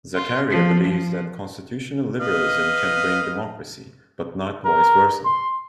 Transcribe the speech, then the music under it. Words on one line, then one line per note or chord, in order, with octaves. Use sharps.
Zakaria believes that constitutional liberalism can bring democracy, but not vice versa.
F4
F3
F3
B4 D#5 F5
A#4
C6